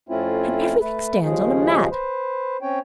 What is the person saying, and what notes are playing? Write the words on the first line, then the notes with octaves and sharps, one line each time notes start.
And everything stands on a mat.
F2 A3 C4 C#4 E4 F4
A3 B4
D#2 C#3 F3 G#3 G#4
B4 C5
C4 C#4 C#5 G5